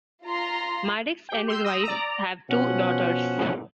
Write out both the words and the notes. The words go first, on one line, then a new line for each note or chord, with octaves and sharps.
Maddux and his wife have two daughters.
F4 A#5 C6
G4 G5
C6 E6 G6
D#6 E6 A#6
D5 A#5
B2 F3 C#4 F#5